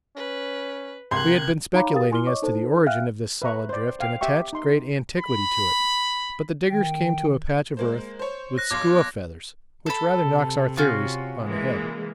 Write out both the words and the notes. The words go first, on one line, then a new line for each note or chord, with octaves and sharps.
We had been speculating as to the origin of this solid drift and attached great antiquity to it, but the diggers came to a patch of earth with skua feathers, which rather knocks our theories on the head.
C#4 B4
C2 G4 A#4 C6 F#6 G#6
D#4 C#5 F5 A#5 B5 D6
G4 A#4 F5 G5 D#6 A6
E4 G#5 C6 D6 F6 G7
C#5 D#5 C#6 D6
D#4 A4 C5 A5
E5 F5 G5 F6 F#6
B4 E5 A#5 C#6
C5 D5
C5 F5 G5
G4 E5 G5 C#6
D#4 C6
B5
D#3 G5
G#3 A#3 C5
C5 C#5
F#6 A#6
B1 F5 C6 D6 G#6 A#6
A4 B5
C3
C#4 F4 F#4
E3 G#3 A#3